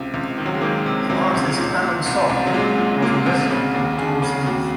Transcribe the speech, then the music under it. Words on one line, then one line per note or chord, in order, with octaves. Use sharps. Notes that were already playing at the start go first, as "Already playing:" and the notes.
The artist Alan Sorrell was a resident of Daws Heath.
Already playing: C#2 C3
C#2
D#3
F#3
G#3
D#3 A#3
C3
C#2 F#3
C#2
A#2
A#2
C2
C2
F#3
A#2 G#3
A#2
A#2 A#3
C2
C#3
D#2
D#2 G#4
C#3
D#2 F#4